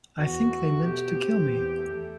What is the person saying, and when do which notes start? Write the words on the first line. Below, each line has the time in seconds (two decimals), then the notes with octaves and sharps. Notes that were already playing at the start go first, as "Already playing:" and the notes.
I think they meant to kill me.
0.19 E2 F#4
0.50 A3
0.82 B2 G4
1.15 C4
1.46 E2
1.78 A3